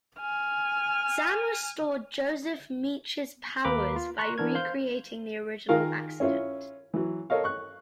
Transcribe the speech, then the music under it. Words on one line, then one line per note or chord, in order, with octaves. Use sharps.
Xan restored Joseph Meach's powers by recreating the original accident.
G#5 F6
D#2 A#3 B4 A#5 B5 D6
F4
A#5 C6 C#6 F#6
E3 B3 D4 A#4 G#6
C5 F5 C6 G6
D#3 F4 G#4 A#4 F5
C#4 E4 F4 C#5
E3 F#3
A4 A#4 C#5 D#5 F5
C#6 F#6